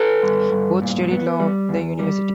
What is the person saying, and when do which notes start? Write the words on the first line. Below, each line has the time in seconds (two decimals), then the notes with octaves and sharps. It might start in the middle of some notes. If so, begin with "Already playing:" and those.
Both studied law at the university.
Already playing: A4 B4
0.23 G2
0.52 G2
0.82 A#2
1.12 B3
1.40 G3
1.69 E2
1.99 G3